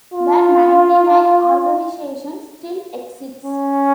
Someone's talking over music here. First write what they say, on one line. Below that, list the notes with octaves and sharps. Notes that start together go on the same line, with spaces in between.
The Ninety-Nine organization still exists.
F4
C#4